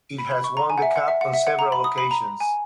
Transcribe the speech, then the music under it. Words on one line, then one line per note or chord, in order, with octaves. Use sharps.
It has won the cup on several occasions.
B5
B5
C#6
A#5
G#5
F#5
E5
F#5
E5
F#5
E5
F#5
A#5
B5
D#6
B5
A#5
G#5